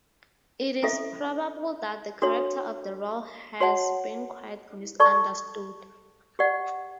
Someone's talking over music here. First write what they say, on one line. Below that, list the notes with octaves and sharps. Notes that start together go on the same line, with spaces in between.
It is probable that the character of the roll has been quite misunderstood.
C#4 E4 A4 E5
D4 F#4 A4 C#5
F#4 C#5 F#5 A5
A4 D5 A5 C#6
G4 D5 F#5